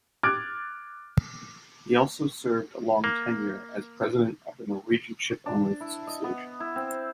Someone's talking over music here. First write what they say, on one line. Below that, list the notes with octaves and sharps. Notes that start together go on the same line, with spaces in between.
He also served a long tenure as president of the Norwegian Shipowners' Association.
D6 F6 F#6 G#6 A6 D7
A#3
D4
E4
D#5
B3
E4
C4